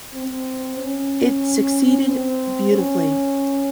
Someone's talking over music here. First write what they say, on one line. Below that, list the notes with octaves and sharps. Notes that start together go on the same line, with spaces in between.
It succeeded beautifully.
C4
C#4
C4
C#4